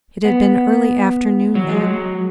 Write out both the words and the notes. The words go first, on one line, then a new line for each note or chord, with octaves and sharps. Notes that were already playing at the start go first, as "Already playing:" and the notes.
It had been early afternoon then.
B3
F#3
G#3
F#3